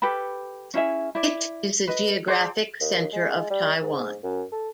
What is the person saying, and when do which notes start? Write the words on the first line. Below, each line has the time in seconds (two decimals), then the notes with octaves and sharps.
It is the geographic center of Taiwan.
0.02 G4 A4 B4 B5
0.74 C#4 E4 G#4 E5
1.15 E4 D5
1.88 B4 D#5
2.27 G#4 C5 D5
2.81 D#2
3.13 G#3
3.50 G3
3.82 G#2
4.23 F#2
4.52 A4